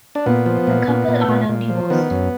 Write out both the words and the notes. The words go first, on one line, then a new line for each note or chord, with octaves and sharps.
The couple are now divorced.
D4
A#2 B3
F3
A#2
A#2
A#2
A#2
A#2
F3
D#3 B3
F#2